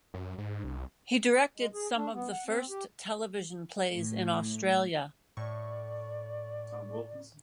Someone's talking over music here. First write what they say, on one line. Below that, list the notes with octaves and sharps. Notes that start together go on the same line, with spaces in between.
He directed some of the first television plays in Australia.
F#2
G#2
C2
G#3
G#4
D4
B3
F#5
C4
G4
A2
A2 D5 C#6